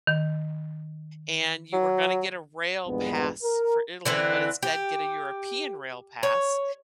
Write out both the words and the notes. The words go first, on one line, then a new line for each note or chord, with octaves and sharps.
and you were gonna get a rail pass for Italy, but instead get a European rail pass,
D#3
F#3
A#1 E2 G2 G#3 B3 B4
A#4
D3 E3 C4
G4
C#5